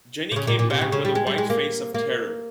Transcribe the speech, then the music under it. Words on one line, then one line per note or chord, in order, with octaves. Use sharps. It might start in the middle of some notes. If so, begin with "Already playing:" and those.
Jenny came back with a white face of terror.
C3
C#3
A#2
A#2
C3
C#3
C#3
G3
G#3
G3
G#3
A#3
A#3